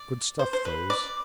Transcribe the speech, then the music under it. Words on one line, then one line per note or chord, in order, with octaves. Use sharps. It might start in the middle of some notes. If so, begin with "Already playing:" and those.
"Good stuff, those."
Already playing: D5
C5
C5
B4
D5